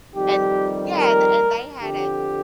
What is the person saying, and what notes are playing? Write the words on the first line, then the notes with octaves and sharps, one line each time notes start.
and yeah, and and they had a
F2 D#3 G3 G4
A#4
F2 D3 F3 G4